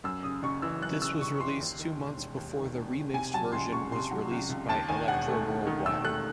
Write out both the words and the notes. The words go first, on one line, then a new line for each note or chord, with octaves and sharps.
This was released two months before the remixed version was released by Elektra worldwide.
F#2 E6
C#3 D#6
F#1 C#6
E3 E6
F#2 F#6
C#3 E6
F#1 C#6
C#6
E3 C6
D#2
D#3
E1
E1
D#2
D#3
E1
E1
C3 G#5
F#3 A5
C#2 C6
C#2 C#6
C3 C6
F#3
C#2
C#2
D#2 A5
D#3 G#5
E1 F#5
A3
D#2
D#3
E1 E6
A3 F#6